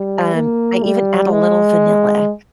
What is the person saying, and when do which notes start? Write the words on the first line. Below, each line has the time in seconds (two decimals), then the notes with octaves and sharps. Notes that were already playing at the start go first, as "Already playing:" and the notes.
Um, I even add a little vanilla.
Already playing: G3
0.35 A#3
0.83 G3
1.31 G#3